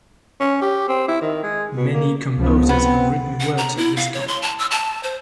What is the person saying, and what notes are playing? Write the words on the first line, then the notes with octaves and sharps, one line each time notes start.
Many composers have written works of this kind.
C#4
G4
C4
E4
D#3
G#3
B2
A#3
C#2 F3 B3
B3 C4
F#5
A#5
E4
F5
C#5
C6
A5
E6
A5
C5